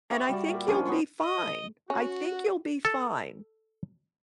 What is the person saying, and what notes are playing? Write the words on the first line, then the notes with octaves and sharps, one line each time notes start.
And I think you'll be fine. I think you'll be fine.
G4 E5 A#5 C#6
G3 F#4 D5
A#2 A#4 E5
F3 C#4 D4 F4
B3 C#5 C6 C#6
D#5
C#4 F#4
A4